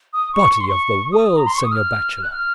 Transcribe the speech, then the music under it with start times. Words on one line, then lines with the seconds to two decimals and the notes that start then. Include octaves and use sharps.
Body of the world, senor bachelor!
0.13 D#6
0.33 C#6
0.53 C#6
0.61 C6
0.68 C#6
1.12 D#6
1.37 A#5
1.47 C6
1.55 C#6
1.64 D#6
1.72 F6
2.22 F#6
2.32 F6